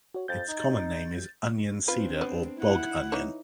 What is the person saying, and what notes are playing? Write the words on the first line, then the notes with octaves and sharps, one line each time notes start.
Its common name is onion cedar or bog onion.
F#4 C#5
F2 G6 A6
D#4
C4 D4 F4 B4
B3
E4 F#5
E3 D#4 C#5